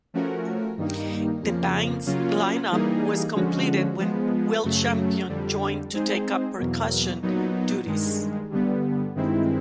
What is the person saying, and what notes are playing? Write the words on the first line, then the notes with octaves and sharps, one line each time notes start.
The band's line-up was completed when Will Champion joined to take up percussion duties.
F3 A3 C#4 F#4 A#4
G2 D#3 G3 A#3 D#4
F2 C#3 F3 A#3
C#3 F#3 A#3 C#4 F4
E3 G3 A#3 D#4 G#4
D3 F3 G#3 C#4 F#4
F3 G#3 B3
F#2 C#3 F#3 A3
F2 D3 G3
G#3 C4 D#4 G#4 C5
E2 B2 F#3 A#3
A#2 F#3 B3 D#4
G2 D#3 G#3
G2 D3 G3 B3
G2 D#3 G#3 C4 E4